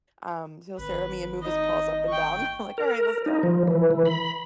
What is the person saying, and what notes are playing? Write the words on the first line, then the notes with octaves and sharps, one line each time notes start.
Um, he'll stare at me and move his paws up and down. I'm like, "Alright, let's go."
G#1 B4
D#4 D#5
G5 C#6
A#4
D#4
F3
E3
E3
B5